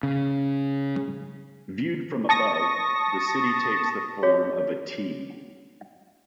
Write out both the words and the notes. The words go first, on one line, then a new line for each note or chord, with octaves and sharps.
Viewed from above, the city takes the form of a "T".
C#3
A5 C#6 D#6 A#6
F#4 G#4 C#5